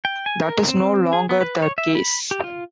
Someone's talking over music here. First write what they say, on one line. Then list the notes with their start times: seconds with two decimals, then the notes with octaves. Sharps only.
That is no longer the case.
0.05 G5
0.26 G#5
0.42 A#4
0.68 C4
1.13 G#4
1.29 B3
1.41 B4
1.62 C#5
1.78 E5
1.95 B5
2.31 G4
2.44 F4